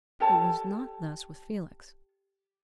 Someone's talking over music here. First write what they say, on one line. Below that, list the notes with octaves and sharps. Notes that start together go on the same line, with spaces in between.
It was not thus with Felix.
G4 A4 C#5 A5